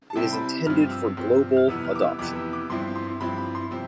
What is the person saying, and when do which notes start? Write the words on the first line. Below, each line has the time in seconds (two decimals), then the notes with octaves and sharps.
It is intended for global adoption.
0.10 A5
0.15 C3 G3 C4 E4 G5
0.33 B5
0.66 G2 F3 C4 F6
0.91 E6
1.17 G2 F3 C4
1.57 F6
1.68 F2 C3 E3 B3 E6
1.85 F6
1.95 D6
2.02 E6
2.19 F2 C3 E3 B3 D6
2.36 E6
2.53 D6
2.70 G2 F3 C4 E4 C6
2.96 C6
3.20 G2 F3 C4 E4 B5
3.38 B5
3.55 C6
3.71 C3 F3 C4